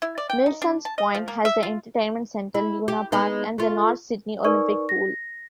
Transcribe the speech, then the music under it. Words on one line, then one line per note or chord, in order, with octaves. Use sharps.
Milsons Point has the entertainment centre Luna Park and the North Sydney Olympic Pool.
E4
D5
G5
D#4
D4
A5
D#5
F3
A#3
E5
F4
E4
G4
G#3 B3 D#4
A3 F4
D#4 A#4 B4 D5 C#6
A#6